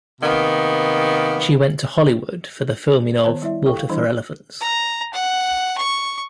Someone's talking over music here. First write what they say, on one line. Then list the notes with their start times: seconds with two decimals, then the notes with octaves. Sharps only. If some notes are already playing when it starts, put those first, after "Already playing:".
She went to Hollywood for the filming of "Water for Elephants".
0.21 C3 D#3 A#3 B3
3.24 D#3 B3 C5 C#5 A5
3.42 G3 E4 D5 E5
3.66 G4 A4 G5 C#6
3.78 F5
3.90 E3 G3 D4 E4 C5
4.61 A#5
5.13 F#5
5.78 C#6